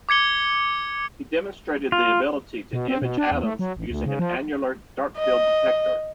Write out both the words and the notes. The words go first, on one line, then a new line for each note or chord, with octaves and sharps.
He demonstrated the ability to image atoms using an annular dark field detector.
D6 G#6 C#7 G7
F4
B2
C4
B2
D4
E2
A3
F#3
A1
D2
C#3
F3
D#5